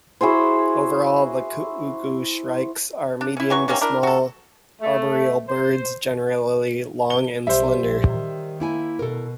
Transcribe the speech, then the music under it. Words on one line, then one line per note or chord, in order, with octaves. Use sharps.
Overall the cuckooshrikes are medium to small arboreal birds, generally long and slender.
E4 F#4 G#4 C5
D4
C#4 E4
E3 F#3 C#6
C3 D#3 A#3 C#4
D4 E4 A#4
F#4 A4
A3
C5
G7
B1 G3 C5 E5
A#1
D#3
A#3 E4 G#5
B2 A4 A#4